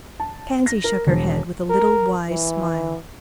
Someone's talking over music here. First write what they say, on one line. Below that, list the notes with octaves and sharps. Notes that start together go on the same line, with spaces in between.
Pansy shook her head with a little wise smile.
A5
A#6
A#4
E1
A#4
E3